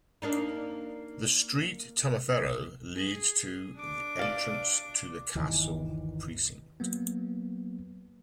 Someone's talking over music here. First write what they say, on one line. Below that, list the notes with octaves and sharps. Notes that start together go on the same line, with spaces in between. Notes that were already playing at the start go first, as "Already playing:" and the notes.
The street "Tallaferro" leads to the entrance to the Castle precinct.
A#3 D4 D#4
G#4
D4 D6
D5 F5
G1 D#2 D#3 E3
F#3 A#3 B3